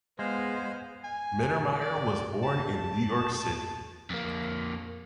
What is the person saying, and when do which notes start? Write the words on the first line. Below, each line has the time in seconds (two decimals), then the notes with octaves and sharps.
Mittermeier was born in New York City.
0.19 G#3 B3 C5 F5
1.04 G#5
1.81 D5
2.43 A5
4.10 F2 A#3